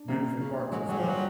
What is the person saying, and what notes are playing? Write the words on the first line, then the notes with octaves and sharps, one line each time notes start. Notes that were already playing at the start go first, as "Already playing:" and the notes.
beautiful parks and stuff
Already playing: D4
C3 A#3
C#3
F#3 G#3
F#3 G3
F3
F#3 G3